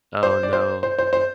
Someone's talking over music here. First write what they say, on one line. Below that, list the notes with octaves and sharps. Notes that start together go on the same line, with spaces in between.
Oh, no.
C5
D5
C5
C5
C5
C5